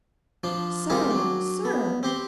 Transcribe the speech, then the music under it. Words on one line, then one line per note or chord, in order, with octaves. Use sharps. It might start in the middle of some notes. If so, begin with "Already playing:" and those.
"Sir! sir!"
F3 D4 F4
D#3 G3 C4 F4 G4 G#4
F#3 D4
B3
C4 G4 C6